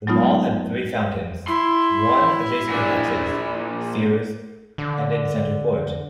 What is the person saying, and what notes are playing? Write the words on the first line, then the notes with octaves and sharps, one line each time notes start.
The mall had three fountains, one adjacent to Hecht's, Sears, and in center court.
F#3 G#3 A3 B3 D#4 F4
E4 C6
A#2 D4
D3